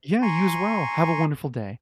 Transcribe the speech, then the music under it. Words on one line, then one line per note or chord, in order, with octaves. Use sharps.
Yeah, you as well. Have a wonderful day.
G#5 A#5 C6 C#6